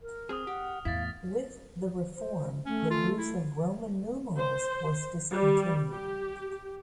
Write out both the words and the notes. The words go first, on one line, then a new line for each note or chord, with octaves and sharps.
With the reform the use of Roman numerals was discontinued.
A#4
C4 G#4 D#6 F6
G4 F#5
E2 A2 E4 F5 A6 B6
C5
A3 C#4
F4
E4
C5
G3
G4